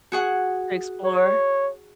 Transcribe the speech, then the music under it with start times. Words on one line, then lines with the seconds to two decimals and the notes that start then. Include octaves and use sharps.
To explore?
0.12 F#4 G#4 F#5
1.04 C#5